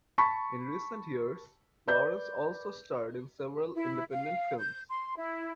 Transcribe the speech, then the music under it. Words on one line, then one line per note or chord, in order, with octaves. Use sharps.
In recent years, Lawrence also starred in several independent films.
A5 B5 C#6 B6
B4 D5 G6
E4
F5
G6
C6
E4